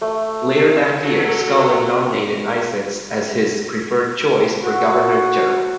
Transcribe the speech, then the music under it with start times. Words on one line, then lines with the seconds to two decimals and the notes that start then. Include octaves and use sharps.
Later that year, Scullin nominated Isaacs as his preferred choice for governor-general.
0.01 A3
1.04 F#4 A4 C#5
4.63 F#4